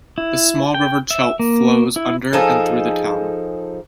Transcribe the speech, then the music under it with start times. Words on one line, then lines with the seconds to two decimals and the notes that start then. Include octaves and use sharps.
The small River Chelt flows under and through the town.
0.18 E4
0.74 G5
1.11 E5
1.39 A#3
1.96 E4
2.33 F3 D#4 G#4 A4